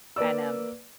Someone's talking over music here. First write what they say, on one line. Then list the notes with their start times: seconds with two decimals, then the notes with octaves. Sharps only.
and, um
0.16 A#3 B4 D5 E6